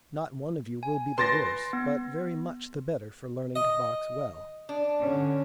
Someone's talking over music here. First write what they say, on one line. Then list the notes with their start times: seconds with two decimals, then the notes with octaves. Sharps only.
Not one of you will be the worse, but very much the better, for learning to box well.
0.83 G#5
1.18 B4 C6 A6 A#6 D7
1.73 B3
3.56 D#5
4.69 D4
5.01 D3 C#4